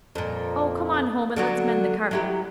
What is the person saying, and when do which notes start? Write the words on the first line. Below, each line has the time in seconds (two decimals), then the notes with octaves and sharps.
'Oh, come on home and let's mend the carpet.
0.15 F2 A#2
1.36 D3 F#3 F#4
2.11 F#3 E4 G4